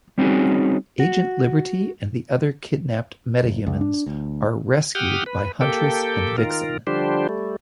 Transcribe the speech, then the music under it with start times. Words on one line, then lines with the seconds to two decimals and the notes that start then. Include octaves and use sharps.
Agent Liberty and the other kidnapped meta-humans are rescued by Huntress and Vixen.
0.18 G3 C4 C#4 D#4 F#4 G#4
1.00 F#4
3.44 F#1
3.67 C#2
3.81 D4
4.06 D2
4.95 G4 F#5 G5 D#6 F6
5.26 B4
5.61 A#3 G4 A4 G5
6.38 D#3 F4 A#4
6.87 D3 F3 G3 D4 G4 C5
7.29 G3 A3